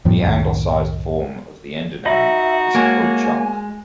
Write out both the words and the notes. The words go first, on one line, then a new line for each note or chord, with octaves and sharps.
The anglicized form of the endonym is "Ho-Chunk".
F#2 A2 F3 G3
C2 F#2 A2 D#3
D#4 F#4 D#5 E5 B5
G#3 A#3 C#5 G#5